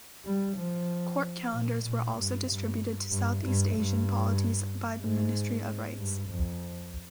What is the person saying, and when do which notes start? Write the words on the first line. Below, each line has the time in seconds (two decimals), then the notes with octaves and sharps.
Court calendars were also distributed to Southeast Asian polities by the Ministry of Rites.
0.25 G3
0.58 F3
1.52 A#2
1.84 A#2
2.16 G2
2.48 G2
3.11 G2
3.43 G2
3.75 G2
5.02 G#2
5.98 G2
6.29 F2